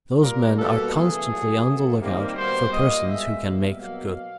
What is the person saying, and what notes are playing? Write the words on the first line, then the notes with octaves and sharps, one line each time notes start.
Those men are constantly on the lookout for persons who can make good.
A#2 G3 A#3 A#4
B2 G3 A#3 A4
C#3 E3 A3 G#4
A#2 F#3 A3
B2 F#3 A3
C3 D#3 G3 A#3 G4
B2 G3 A#3 C5
A#2 G3 A#3 D#5
B2 G#3 E5
B2 G3 A#3 E5
B2 F#3 A#3 F5